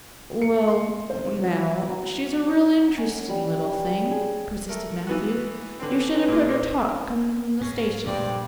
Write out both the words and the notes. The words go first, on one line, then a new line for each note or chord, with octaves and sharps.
"Well now, she's a real interesting little thing," persisted Matthew. "You should have heard her talk coming from the station."
C#7
C6
C5
F#3
F#3
C#5
C#4
G3
G#4
A3 A#4
E3 B3 F#4
D3 C4 C#4 B4
A#2 G#3
G#2 C#4
A#1 G2 A#2 G#3 C4 D5